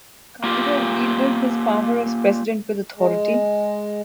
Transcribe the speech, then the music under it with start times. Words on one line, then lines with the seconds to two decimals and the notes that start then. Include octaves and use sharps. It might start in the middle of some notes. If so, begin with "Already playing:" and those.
Calder wielded his power as president with authority.
0.44 A#3 F4 G4
2.95 G#3